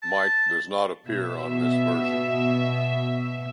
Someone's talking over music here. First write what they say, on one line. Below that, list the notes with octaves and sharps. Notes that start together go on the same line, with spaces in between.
Mike does not appear on this version.
A5
B2 E5